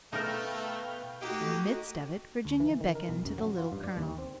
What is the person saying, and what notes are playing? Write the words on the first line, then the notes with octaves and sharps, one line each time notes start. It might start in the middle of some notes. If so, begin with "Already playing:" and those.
In the midst of it Virginia beckoned to the Little Colonel.
B2 A3 D#4 A#4 F5 G5
A3 A#3 D#4 F#4 G4 D#5
D2
E3
D#3
A#4
B1
F#2
F#3
F4
G2
D5
D#2
C4